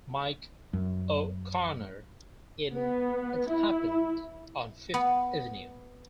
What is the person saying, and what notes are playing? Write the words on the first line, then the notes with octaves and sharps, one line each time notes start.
'Mike' O'Connor in "It Happened on Fifth Avenue".
F#2
B3
E4
B3